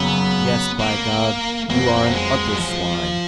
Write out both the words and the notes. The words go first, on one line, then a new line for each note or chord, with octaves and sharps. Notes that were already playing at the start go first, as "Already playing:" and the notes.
Yes, by God, you are an utter swine!
Already playing: F#1 F#2 C#3 B3
A#3
F2 F3 A#3 B3 F#4
F#3
G#3
F#3
F3